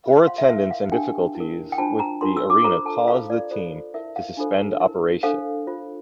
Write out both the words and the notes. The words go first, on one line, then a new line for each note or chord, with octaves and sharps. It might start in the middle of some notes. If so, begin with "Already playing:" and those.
Poor attendance and difficulties with the arena caused the team to suspend operations.
F4 C5
C6
F5
E5
E4 A#4 E5
F5
D4 G4 A#4 G5
E4
A#4
G5
D4 F4 C5 A5
A#5
D4 F4 A#4 C6
E6
D6
F4 A4 C5 A#5
A5
F4 A4 C5 F5
D5
F4 A4 C5
E4 A#4 E5
F5
D4 F4 A4 C5
E4 A#4
D4 A4 C5 F5
F4 C5